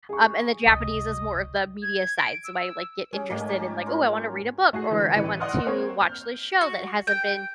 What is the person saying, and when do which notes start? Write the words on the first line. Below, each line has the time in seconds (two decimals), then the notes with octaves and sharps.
Um, and the Japanese is more of the media side. So I, like, get interested in, like, "Ooh, I wanna read a book," or "I want to watch this show that hasn't been,
0.09 G#4 C#6
0.66 F1 C#2 D#5
1.82 G#6
2.18 D7
2.44 E6
2.57 E6
3.13 G3 C#4 G#4
3.30 G#2 A3 A#3 C#4 G4 D#5
3.49 G4 A5 A#5
3.86 F4 A#4
4.73 A3 F#4 G#4 C7
4.90 D3 E3 G#3
5.16 A1 E3 B4 C#7
5.40 D5 D#5 F#5 C6 D#6 F6
5.66 A#3 C4 C#5
6.01 F6 G6
6.61 F#4
7.07 G5